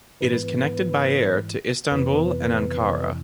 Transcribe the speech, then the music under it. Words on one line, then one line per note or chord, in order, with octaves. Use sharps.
It is connected by air to Istanbul and Ankara.
G#2 E3 B3 B4
F2 C3 E3 B3 B4